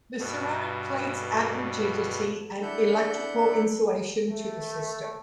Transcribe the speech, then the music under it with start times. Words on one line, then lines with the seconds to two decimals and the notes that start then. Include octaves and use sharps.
The ceramic plates add rigidity and electrical insulation to the system.
0.18 G2 B2
2.62 D4 E4 A4 F#5 B5 G6
4.32 A3